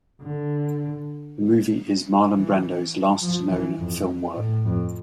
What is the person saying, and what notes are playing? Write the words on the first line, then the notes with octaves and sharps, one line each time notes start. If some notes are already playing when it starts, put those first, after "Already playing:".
The movie is Marlon Brando's last known film work.
D3
E3
F3
E3
F2
A2
F2